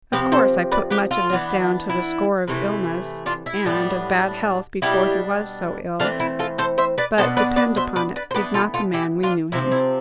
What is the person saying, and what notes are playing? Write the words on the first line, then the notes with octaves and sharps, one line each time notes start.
Of course I put much of this down to the score of illness, and of bad health before he was so ill; but, depend upon it, he's not the man we knew him.
C3 F3 C4 G4 B4
A4 C5
B4 D5
G4 B4
F4 A4
E3 B3 D4
E4
C3 E3 A3
D4 F4
E4
A2 G3 B3 D4
B2 G3 B3 D4 E4 G4
E3 A3 C4 D4 F4
E4
F4 A4
A4 C5
C5 E5
B4 D5
B2 B3 D4 A4 C5
B4 D5
B4 D5
C5 E5
B4 D5
B4 D5
C5
E3 B3 D4 G4 B4
F4 A4
F4 A4
E4 G4
D4 F4
C3 F3 C4 E4
E4